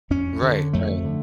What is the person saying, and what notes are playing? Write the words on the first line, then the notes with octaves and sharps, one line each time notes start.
Right. Right.
F2 C#4
D3
F2 A3
D3